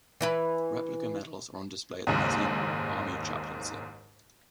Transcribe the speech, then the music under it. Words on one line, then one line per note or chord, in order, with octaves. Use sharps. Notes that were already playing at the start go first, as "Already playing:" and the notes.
Replica medals are on display at the Museum of Army Chaplaincy.
E3 E4 B4
F#1 D#2 G#2